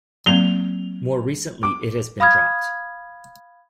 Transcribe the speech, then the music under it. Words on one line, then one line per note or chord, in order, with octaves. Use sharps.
More recently it has been dropped.
F#3 A#3 C4 F7 G7
D6
F5 B5 D#6 F6 G#6